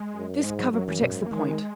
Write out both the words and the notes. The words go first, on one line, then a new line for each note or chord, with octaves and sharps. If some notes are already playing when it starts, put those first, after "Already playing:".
This cover protects the point.
Already playing: G#3
F#2
G#2 G#3
F#3
F#2 F#3
E3
B2
G#2
E3
A#3
D#3 G#3